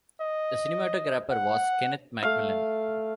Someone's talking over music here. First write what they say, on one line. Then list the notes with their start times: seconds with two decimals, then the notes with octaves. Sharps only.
The cinematographer was Kenneth McMillan.
0.21 D#5
1.31 F#5
2.23 A3 F5